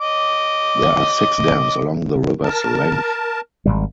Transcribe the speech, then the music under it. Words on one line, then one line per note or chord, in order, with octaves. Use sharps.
There are six dams along the river's length.
D#5 D6
A#4 A5
G#1 D#2 G3